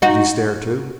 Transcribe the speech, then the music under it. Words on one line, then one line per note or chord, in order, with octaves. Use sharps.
"Did he stare too?"
D#4 F#4